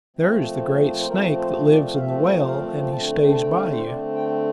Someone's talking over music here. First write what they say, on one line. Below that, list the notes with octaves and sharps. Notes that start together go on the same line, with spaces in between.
There is the great snake that lives in the well, and he stays by you.
A#2 F3 A3 C4
C5
A#2 F3 A3 C4 A#4
C5
D5
F5
A#2 F3 A3 C4 E5
F5
D3 A3 C4 A5
G5
A5
G5
F5
C5
D3 A3 C4 D5
G5